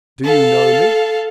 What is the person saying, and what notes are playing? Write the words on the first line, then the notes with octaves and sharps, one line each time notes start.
"Do you know me?"
A4 F5